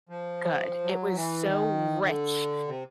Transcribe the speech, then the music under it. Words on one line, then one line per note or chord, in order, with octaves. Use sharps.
good. It was so rich,
F3
F#3
E3
D#3
D3
C3